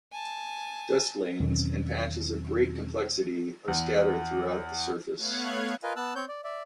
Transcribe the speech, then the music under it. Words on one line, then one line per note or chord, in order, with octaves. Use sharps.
Dust lanes and patches of great complexity are scattered throughout the surface.
G#5 A5
E2 B2 D#3 F#3 C4 C#4
E2
A3 B3 C#5 F5 F#6 G#6
F4 A#4 B4 D#5 F5 G#5
B3 A5 E6 F#6
C4 C#5 G6
D5
D5 E5